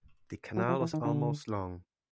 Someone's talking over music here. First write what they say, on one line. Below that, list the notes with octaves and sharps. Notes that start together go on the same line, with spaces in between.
The canal is almost long.
F#3
F3
E3
D#3
D3